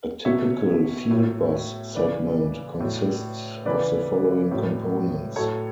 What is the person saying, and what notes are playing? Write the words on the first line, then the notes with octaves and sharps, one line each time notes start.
A typical fieldbus segment consists of the following components.
B2 F#3 C#5 E5
A2 F#3
C#3 E3 B4 D5
A2 F#3
C#3 E3 B4 D5
A2 F#3
A2 F#3 A4 C#5